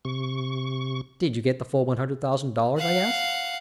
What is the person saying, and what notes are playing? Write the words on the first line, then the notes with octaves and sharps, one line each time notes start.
"Did you get the full one hundred thousand dollars?" I asked.
C3 C#6
F5 F#5